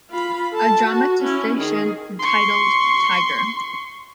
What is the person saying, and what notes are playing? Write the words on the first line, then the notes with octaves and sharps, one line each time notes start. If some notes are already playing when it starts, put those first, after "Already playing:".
A dramatisation titled Tiger!
F4 B5
A4 A5
F#4
C#4 E4
D#3 G#4
C6 C#6